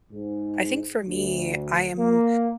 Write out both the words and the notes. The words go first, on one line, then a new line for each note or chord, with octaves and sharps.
I think for me, I am
G#2
D2
A#3